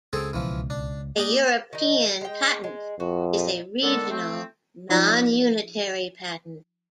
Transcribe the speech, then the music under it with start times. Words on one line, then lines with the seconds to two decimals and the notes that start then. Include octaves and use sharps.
A European patent is a regional, non-unitary patent.
0.13 C#2 C#3 C4 G#4 A4
0.33 C2 B2 E3 F3
0.70 D4
1.17 A#3 D4 G4 D#5
1.73 D#3 D#4
2.21 G#3 G5
2.64 G#3
3.00 F2 F#4
3.37 A#2 D#4
3.83 D3 D#3 G#3 B3 D4 A4
4.10 A3 C4
4.89 F3 D#4 F4 D5 A#5